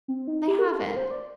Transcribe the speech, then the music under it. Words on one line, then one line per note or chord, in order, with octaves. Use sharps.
They haven't.
C4
D#4
G4
A#4
A4
A#4
C5
D5